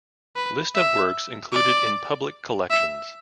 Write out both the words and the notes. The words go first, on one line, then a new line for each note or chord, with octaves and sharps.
List of works included in public collections.
B4
E5
D5
E5